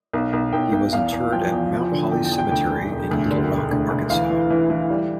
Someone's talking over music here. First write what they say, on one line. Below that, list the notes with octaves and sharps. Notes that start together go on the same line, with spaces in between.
He was interred at Mount Holly Cemetery in Little Rock, Arkansas.
B1
B1
B1 G5
B1
E2 F5
E2
F3 G5
E2
F3
D3
E2 G5
G5
E2
G5
D2 G5
E1
E1
D2
D3
E1
D2
D2
E3 F5
E3
E3
E3
G3